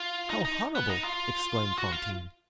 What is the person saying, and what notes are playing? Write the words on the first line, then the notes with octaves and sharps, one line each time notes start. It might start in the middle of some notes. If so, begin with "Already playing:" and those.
"How horrible!" exclaimed Fantine.
Already playing: F4
D#4
D#4
B3
D#4
F4
F#4
F4